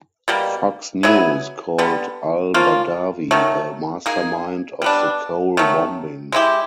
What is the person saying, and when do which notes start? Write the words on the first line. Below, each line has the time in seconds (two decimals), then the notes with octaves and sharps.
"Fox News" called Al-Badawi a "mastermind" of the Cole bombing.
0.28 B2 G3 A#3
1.03 F#3 B3 E4 G#4
1.78 D3 G3 B3
2.54 F3 A#3 C#4 F4
3.31 D#3 F#3 A3
4.06 A#3 D#4 G#4
4.82 G3 B3 D4
5.57 D#3 F#3 A3
6.32 G#3 B3 E4 G4